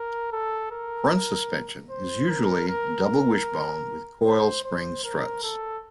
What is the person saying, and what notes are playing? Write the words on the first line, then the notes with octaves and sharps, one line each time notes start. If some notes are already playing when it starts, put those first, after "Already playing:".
Front suspension is usually double wishbone with coil spring struts.
Already playing: A#4
A4
A#4
C5
A#4
A#4
C5
C5
A#4
A4